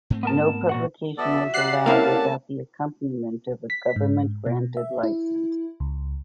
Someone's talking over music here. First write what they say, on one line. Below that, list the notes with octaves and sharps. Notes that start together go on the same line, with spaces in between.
No publication was allowed without the accompaniment of a government-granted license.
G#2 A3 C4
B3 A#4 A5
A#2 F#4 F#5
B3 F#4 A4 D5 E5
G4 D5 F#5 F#6 C7
A#3 C4 C#4 E4 A4 F5 A5
B6
G#2
B2
E5
E4
C#2